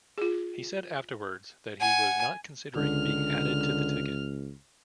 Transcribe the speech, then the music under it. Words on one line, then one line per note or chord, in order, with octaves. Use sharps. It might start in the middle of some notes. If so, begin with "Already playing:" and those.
He said afterwards that he was not considering being added to the ticket.
F4 G#4
F#5 G#5
C#2 D3 F6